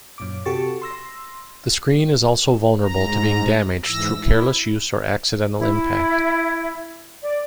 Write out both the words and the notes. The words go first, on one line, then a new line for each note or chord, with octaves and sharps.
The screen is also vulnerable to being damaged through careless use or accidental impact.
F#2 A#2 D6
C3 F#4 G4 A4 C#6 A6
C6 E6 A#6
G#2 A#5
G#2 E3 E6 A#6
E4
E4
D5